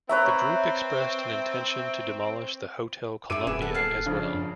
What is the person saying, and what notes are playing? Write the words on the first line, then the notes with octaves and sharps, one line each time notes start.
The group expressed an intention to demolish the Hotel Columbia as well.
C4 B4 C#5 E5 A#5
F#2 E4 A4 D6 D7 D#7
D#1 B3 G#4 E7
A4 F#5
G#4 F#5 A5 F6 C7
C#3 F3 D4
F#2